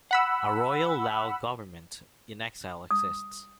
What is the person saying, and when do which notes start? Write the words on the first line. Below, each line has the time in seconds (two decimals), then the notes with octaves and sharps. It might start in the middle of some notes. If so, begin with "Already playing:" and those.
A Royal Lao Government in Exile exists.
0.11 F#5 B5 E6
2.91 D#6